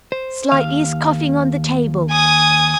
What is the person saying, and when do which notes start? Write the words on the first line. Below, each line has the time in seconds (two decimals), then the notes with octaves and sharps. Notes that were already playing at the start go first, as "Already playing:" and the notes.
'Slightly is coughing on the table.'
0.12 C5
0.52 D#2 F5
2.10 G#5 D#6